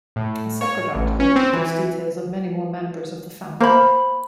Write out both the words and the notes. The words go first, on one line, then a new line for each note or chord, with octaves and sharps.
A separate article gives details of many more members of the family.
A2
C#5
A1
C#4
C4
E3
A#3 C5 B5